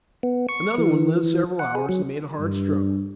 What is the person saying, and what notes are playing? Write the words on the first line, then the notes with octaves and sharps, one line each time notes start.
Another one lived several hours, and made a hard struggle.
B3
C#6
E3
F#5
G#4
F#3
G2